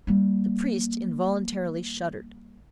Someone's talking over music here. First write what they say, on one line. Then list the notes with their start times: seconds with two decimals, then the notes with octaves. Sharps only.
The priest involuntarily shuddered.
0.07 G3 A#3